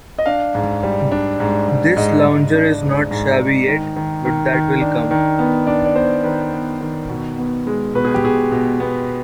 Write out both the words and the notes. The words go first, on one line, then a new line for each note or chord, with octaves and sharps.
This lounger is not shabby yet, but that will come.
D#5
D4 F5
G#2
G3
D4
G#2
G#2
G#2 D#5
G#2
D4
G#2
G#2
G#2
D#3
D#3
D#3
D#3
D4
D#3
B3
D4 D5
D5
B3 C5
D#3 B4
B3
D#3
B2
B3
G#3
B2 B4
G#4
G4
B2 G#4
B2
B3